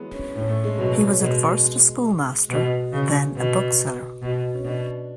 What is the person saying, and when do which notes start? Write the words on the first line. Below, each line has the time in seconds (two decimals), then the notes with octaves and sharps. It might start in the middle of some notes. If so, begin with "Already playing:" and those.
He was at first a schoolmaster, then a bookseller.
Already playing: E3 F#3 G#3 B3
0.14 C#4
0.35 A2 C#4
0.49 A3
0.64 G#3
0.78 B2 F#3
0.93 F#3
1.07 F#3
1.21 B2 G#3
2.50 B2
2.92 C#3
3.36 B2
4.22 B2
4.54 C#4
4.64 B2 D4